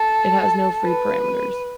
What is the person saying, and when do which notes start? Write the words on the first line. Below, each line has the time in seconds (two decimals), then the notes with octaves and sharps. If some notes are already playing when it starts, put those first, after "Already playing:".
It has no free parameters.
Already playing: A4
0.84 B4